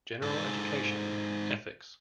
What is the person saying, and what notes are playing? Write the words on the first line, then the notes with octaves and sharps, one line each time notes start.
General Education, Ethics.
G#2 A4